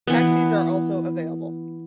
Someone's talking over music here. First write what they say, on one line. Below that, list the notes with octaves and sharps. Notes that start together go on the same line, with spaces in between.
Taxis are also available.
E3 B3